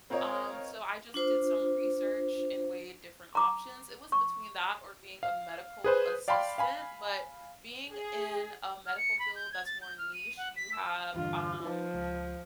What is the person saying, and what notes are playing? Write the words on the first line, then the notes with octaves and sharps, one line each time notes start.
um, so I just did some research and weighed different options. It was between that, or being a medical assistant, but being in a medical field that's more niche, you have, um,
C4 F4 A#4 C#5 D#5
D4 F4 C5
A#5 D6
C#6
F5
G#4 B4 C5
D5 F5 G5 A5 B5 C6
F5 G#5 B5
G#4
F6
C#7
B5
G6
G#6
A6
G6
F6
D#7
F#5
B6
E6
E2 G2 D3 F4
F3 D#4 B4 A5
C#2